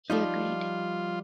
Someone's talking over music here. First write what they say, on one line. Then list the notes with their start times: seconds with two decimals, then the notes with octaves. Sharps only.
He agreed.
0.10 F3 G3 D#4 F4